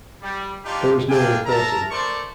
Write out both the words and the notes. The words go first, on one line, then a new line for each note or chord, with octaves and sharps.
There was no reporting.
G3
D4 D#4 F4 G4
D4 E4 F5 G5 G#5
A#4 E5 A5 A#5
A3 A#4 C5 D5 C#6